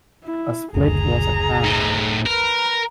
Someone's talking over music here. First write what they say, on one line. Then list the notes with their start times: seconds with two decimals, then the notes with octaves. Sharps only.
A split was at hand.
0.24 E4
0.75 F#1 D2 G#4 A#5
1.65 A2 D#4
2.26 A#4 B4 A#5